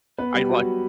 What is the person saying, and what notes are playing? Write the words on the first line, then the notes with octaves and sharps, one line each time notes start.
I'd watch
B3 B4
G3 G4
F#3 F#4